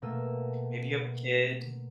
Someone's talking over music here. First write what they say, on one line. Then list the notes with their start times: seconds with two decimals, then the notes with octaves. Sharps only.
maybe you have a kid,
0.02 B2 A3 A#3 E6 D#7